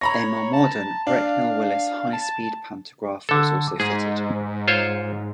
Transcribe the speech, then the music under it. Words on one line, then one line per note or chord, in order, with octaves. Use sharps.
A more modern Brecknell Willis high speed pantograph was also fitted.
C#5 A#5 B5 A#6
A5
D4 F5
A5
D3 A4
G#2 G#4
F4 C5 C#5